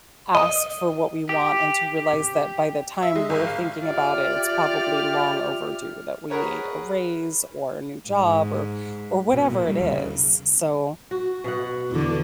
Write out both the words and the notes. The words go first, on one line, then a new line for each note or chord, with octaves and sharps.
ask for what we want and to realize that by the time we're thinking about it, it's probably long overdue that we need a raise or a new job or or whatever it is, so
D#5
G4
E5
G#3
G#1
F5
F4 G4 D5 E5 F6
F#4 G#4 A#4 B4 C#5
G#2
B2
A#2
G3
D#2
C#3
F#4
B2 F#5
E2 D3